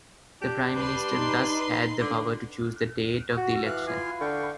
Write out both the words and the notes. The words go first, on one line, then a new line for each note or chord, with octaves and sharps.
The Prime Minister thus had the power to choose the date of the election.
D4 G4
G3 B4 C6
D#4
D3
F#4
E3 F5 F#6
F4 G#5 C6
D3 F5 G5 C#6